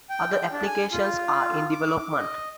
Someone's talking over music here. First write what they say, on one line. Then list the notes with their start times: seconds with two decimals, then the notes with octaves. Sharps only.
Other applications are in development.
0.10 G5
0.52 D4
0.66 G#5
0.92 F4
1.71 D6
2.18 D#5